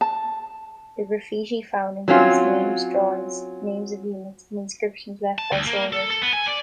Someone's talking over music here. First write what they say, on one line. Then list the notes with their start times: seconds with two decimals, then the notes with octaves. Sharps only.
The graffiti found includes names, drawings, names of units, and inscriptions left by soldiers.
0.01 A5
2.08 F#3 C4 C#4 F4
5.38 A5
5.52 D2
5.67 A#3
5.93 A4
6.10 A4
6.22 B3
6.33 G#5
6.47 D5